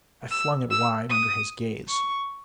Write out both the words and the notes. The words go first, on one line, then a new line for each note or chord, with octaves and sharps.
I flung it wide under his gaze.
E6
E6
D#6
C#6